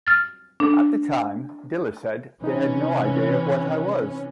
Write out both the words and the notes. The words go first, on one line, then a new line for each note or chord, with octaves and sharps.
At the time, Diller said, They had no idea what I was.
F6 A6
D4 A4
C3 E3 C#4 D#4